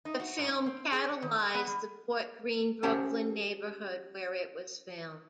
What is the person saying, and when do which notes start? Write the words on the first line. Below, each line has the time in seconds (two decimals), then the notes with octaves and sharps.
The film catalyzed the Fort Greene, Brooklyn neighborhood where it was filmed.
0.05 D#4
0.20 F#4
0.38 G#2
0.54 G2
0.66 C4
0.92 G#4
1.09 C#5
1.22 D#3
1.41 G5
1.54 B3
1.67 G3
2.83 C#4 G4 A#4 C5 F#5 A5